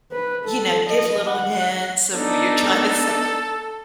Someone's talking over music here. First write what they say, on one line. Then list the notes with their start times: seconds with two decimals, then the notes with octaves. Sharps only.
you know, give little hints of what you're trying to say?
0.12 B4
0.45 A4
0.89 D#5
1.27 F#5
2.13 B3 D4 D#4 A4